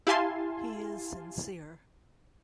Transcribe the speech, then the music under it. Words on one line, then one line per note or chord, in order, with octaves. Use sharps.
He is sincere.
E4 G4 F5 G#5 A5 C6